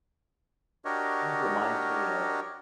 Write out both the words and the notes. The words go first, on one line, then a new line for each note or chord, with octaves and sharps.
It kind of reminds me of
D4 F#4 G4 A#4 C#5 D#5